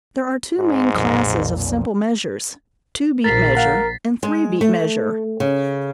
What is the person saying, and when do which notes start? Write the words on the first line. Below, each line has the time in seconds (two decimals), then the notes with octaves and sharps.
There are two main classes of simple measures, two-beat measure, and three-beat measure.
0.58 G#2
0.93 B1 F2 A#2
3.24 A#1 A#4 A6 B6 C7
3.55 A#4 F5 F#5 A#5
4.23 G#3
4.61 A3
5.40 C#3